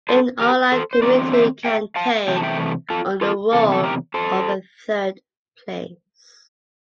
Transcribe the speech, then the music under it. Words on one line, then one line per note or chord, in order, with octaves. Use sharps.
An online community can take on the role of a third place.
A4 C5
G4 A#4
A4 C5
C5
E2 D3 F3 C4 A#4 D5
C5 E5
E5 G5
F5 A5
C3 E3 A3 G5
A5
E5 G5
F4 A4
F4 A4
E2 C3 A4
A4
G4 A#4
A4 C5